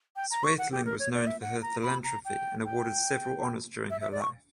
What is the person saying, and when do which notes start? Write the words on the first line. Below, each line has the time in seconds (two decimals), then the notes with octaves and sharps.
Swaythling was known for her philanthropy and awarded several honours during her life.
0.16 G5
0.31 A#5
0.44 C#6
0.58 F#5
0.72 G4
0.85 A#4
0.99 C#5
1.14 D5
1.27 E5
1.42 F#5
1.62 A#5
1.83 B5
2.04 A#5
2.25 G5
2.65 G5
3.90 E5
4.01 E5
4.12 D5
4.21 C#6